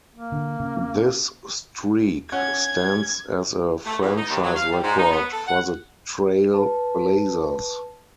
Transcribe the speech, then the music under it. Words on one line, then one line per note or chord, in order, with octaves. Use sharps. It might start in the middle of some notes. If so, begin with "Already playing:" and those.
This streak stands as a franchise record for the Trail Blazers.
A#3
D3
C#3
C#4 F#5 G#6
A3
E2
D#4
D#2
F#3
F5
G3
G#2
D#4
B3
A4
F#5
B4 A5